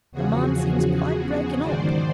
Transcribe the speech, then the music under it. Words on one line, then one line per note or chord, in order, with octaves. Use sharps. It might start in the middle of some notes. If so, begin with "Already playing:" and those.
'The man seems quite broken up.
E2 C#3 F3 F#4 G#4
G#2 D#3 C5 D5